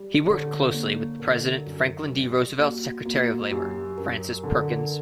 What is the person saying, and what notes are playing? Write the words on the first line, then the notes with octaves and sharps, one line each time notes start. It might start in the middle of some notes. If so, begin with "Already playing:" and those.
He worked closely with the President Franklin D. Roosevelt's Secretary of Labor, Frances Perkins.
Already playing: G3
D3 C#5
A#3 C#5
D3 A#4
F#2
G3 G4
A#3 F#4
A#3 F#4
F#2 G4
F#2 A#4
D3